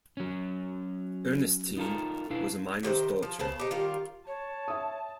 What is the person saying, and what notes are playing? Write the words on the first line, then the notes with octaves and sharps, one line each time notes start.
Ernestine was a miner's daughter.
F#3 C#4
D#4 F4 A4 A#4
D4 E4 B4 F5 A5
C3 D#3 G#4 C5
F3
C#3 B3 C5 A5
D#4 G4
D#3 G3 F4 A#4
C#5 A5
E5 D#6